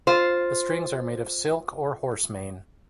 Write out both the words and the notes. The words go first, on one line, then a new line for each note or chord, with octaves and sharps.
The strings are made of silk or horse mane.
F4 C5